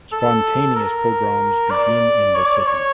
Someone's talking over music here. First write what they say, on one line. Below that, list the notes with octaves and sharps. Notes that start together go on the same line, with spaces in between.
Spontaneous pogroms begin in the city.
A4
A#4
D5
C#5
D5
C#5
C#5